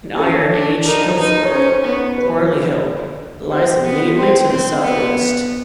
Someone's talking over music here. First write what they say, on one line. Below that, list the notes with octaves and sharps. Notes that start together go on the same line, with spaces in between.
An Iron Age hillfort, Quarley Hill, lies immediately to the southwest.
C#4 A4
D4
D#4 A#4
D#4 B4
C#5
C#4 C5
B3
B4
C4 C5
B3
C4 C5
C4
B3